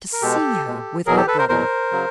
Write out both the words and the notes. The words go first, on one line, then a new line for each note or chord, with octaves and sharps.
To see her with her brother!
A#4
B2 G#3 G4 A4
B2 G#3
E2 B2 F#3 G#4 A#4
G4 A4
A4 B4
A#4 C5
E2 B2 F#3 A#4 C5
C#3 F#3